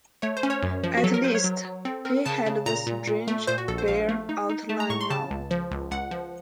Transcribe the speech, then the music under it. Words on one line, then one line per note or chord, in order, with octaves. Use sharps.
At least he had the strange, bare outline now.
A3 C#5
C5
C#4
C#5
F#2
F3
F#4
F#3 A4
A#4
F#3 C5
C#5
F#3
F#3
C4 A4
C4 A#4
C#3 A5
C#3
A#2 A#5
A#2
A#2
A3
A#2 C5
F#4
A#1 A4
C5
A#1 F5
A3
D#4
D#4
A3 A5
A#5
A2 C#6
C6
C#3 A5
C#2
F3
C#2
C#2 F#5
F3